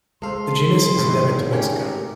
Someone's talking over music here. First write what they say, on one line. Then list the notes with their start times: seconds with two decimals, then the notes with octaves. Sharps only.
The genus is endemic to Mexico.
0.22 G#3 A4 C5 F5 C6
0.97 G#1 G2 B2 E3
1.53 A3 C#4 G4 A#4